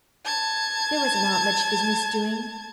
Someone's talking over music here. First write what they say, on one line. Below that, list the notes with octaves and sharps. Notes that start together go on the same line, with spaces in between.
There was not much business doing.
A5 G#6